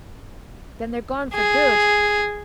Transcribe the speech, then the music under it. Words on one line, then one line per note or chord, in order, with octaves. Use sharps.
"Then they are gone for good."
G#4